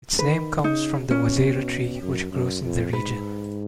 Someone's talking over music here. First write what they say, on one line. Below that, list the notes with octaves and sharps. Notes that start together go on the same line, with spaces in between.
Its name comes from the juazeiro tree which grows in the region.
D#3 B4
C#3 D#4
B2 C#4
F#2
F#2
F2
G#2 B4